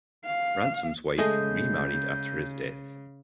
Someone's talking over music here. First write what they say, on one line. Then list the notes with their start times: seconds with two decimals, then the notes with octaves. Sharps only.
Ransom’s wife remarried after his death.
0.25 F5
1.18 C#3 G#3 A3 G#4 D#5 G6